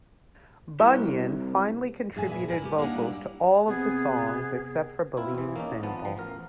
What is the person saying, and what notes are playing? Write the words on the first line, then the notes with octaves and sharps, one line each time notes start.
Bunyan finally contributed vocals to all of the songs except for "Baleen Sample".
C2
F2 A2 G#4 E5 G#5
A#2 B4 E5
E4 A#4 G#5
A3 G4
A#3 D4 D#4 G4 F#5 G#5
G3 E4
C3 B3 G#4
C4 E4 F4
E2 E3
A#3 C#4 D#4
G#1 F3 B3 A5
F3
A1 A#4